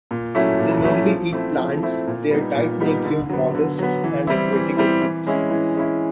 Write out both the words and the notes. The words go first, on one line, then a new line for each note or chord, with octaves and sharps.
They mainly eat plants; their diet may include molluscs and aquatic insects.
A#2
F#3 A3 C#4 E4
A#2
F#3 A3 C#4 E4
F3
A3 C4 E4
F3
A3 C4 E4
A#2
G3 B3 D#4
A#2
G3 B3 D#4
D3
F#3 B3
D3
F#3 B3
E3
G3 C4 E4
E3
G3 C4 E4
E3
G#3 C#4 E4
E3
G#3 C#4 E4